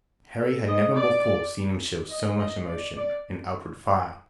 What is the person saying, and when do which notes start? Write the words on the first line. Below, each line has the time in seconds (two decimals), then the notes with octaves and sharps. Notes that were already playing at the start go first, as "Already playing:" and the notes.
Harry had never before seen him show so much emotion and outward fire.
0.38 A4
0.67 D#5
0.96 D5
2.09 D#5
2.39 D#5
2.67 D5
2.96 D5